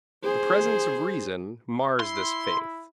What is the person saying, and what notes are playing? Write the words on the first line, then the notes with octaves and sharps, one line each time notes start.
The presence of Reason mars this faith.
G#4 C5
E4 C6